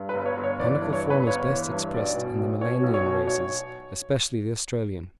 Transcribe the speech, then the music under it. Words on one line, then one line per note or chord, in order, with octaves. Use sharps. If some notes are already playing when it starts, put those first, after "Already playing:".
The conical form is best expressed in the Melanian races, especially the Australian.
Already playing: G2
B4
G1
C#5
G1
C#5
E3 D5
G2
C#5
G1
B4
G1 C#5
E3
G2
B1 D5
B2
B1
B2 C#5
B1
C#5
B2
B1 C#5